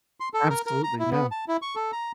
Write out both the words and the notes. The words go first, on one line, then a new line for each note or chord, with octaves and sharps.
Absolutely, yeah.
C6
A4
A#4
A#4
A#5
E4
B3
A5
E4
C#6
A4
A#5